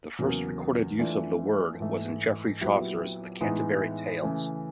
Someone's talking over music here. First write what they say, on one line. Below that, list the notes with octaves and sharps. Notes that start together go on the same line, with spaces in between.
The first recorded use of the word was in Geoffrey Chaucer's "The Canterbury Tales".
E2 C#3 F#3 A#3
E3 A3 D4 F4
G#2 E3 A3
A#2 F#3 B3 E4 G4
A2 E3 G#3 B3 D#4
C#3 E3 A3